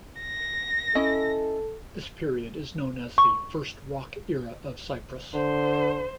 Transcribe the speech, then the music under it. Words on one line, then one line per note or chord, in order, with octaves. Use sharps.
This period is known as the "First Rock Era of Cyprus".
A#6
C#4 E4 A4 D#5
C#6
D3 C5